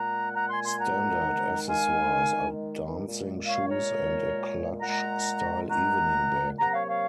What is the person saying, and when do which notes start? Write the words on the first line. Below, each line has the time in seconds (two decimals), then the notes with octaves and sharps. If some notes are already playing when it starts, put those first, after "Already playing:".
Standard accessories are dancing shoes and a clutch style evening bag.
Already playing: A#2 G#3 F#5 A#5
0.35 F#5 A#5
0.50 G#5 C6
0.65 G#5 C6
0.79 F#5 A#5
1.23 D#3 G#3
1.68 F5 G#5
3.02 A#2 G#3
3.46 C#5 F5
3.68 A#4 C#5
4.80 A#2 G#3 F#5 A#5
5.70 F#5 A#5
6.58 C3 F#3 A#3 F#5 A#5
6.73 C#5 F5
6.88 C#5 F5